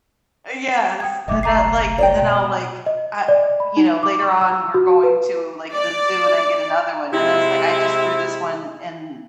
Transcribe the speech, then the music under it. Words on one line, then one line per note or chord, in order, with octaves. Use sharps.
Eh, yes, and that, like and then I'll, like I you know, later on, we're going to, like, the zoo and I get another one, and then it's, like, I just threw this one in
G5 D#6 G#6
F#1 B1 A3 D#5 E5 D6
A#5 D6 C7
D5 D#5 G5
B2
D#5
D5
B5
D#4
D6
C#6
E6
F#4
B4
D5
C3 G#3 E4